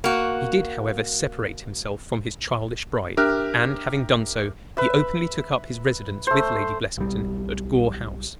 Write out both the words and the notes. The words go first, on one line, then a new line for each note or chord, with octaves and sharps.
He did, however, separate himself from his childish bride; and, having done so, he openly took up his residence with Lady Blessington at Gore House.
A#3 F#4
D4 G4 A#4 E5 F6 F#6
B4 E5
A3 C5
B1 G3